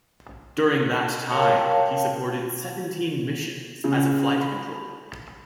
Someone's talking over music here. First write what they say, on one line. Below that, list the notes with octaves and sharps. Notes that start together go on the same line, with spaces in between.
During that time, he supported seventeen missions as a flight controller.
A#4 C#5 F5 G5 A5
C#3
B5